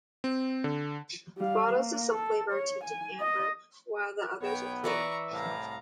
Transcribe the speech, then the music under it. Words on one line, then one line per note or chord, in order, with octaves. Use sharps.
The bottles of some flavors are tinted amber, while the others are clear.
C4
D3
G3 F5
A#3
A4
C#5
G#5
D#5
B1 B3 C#5 G5
E3 B4 D5 E5 A#5 C#6
C2 A2 F5 A#5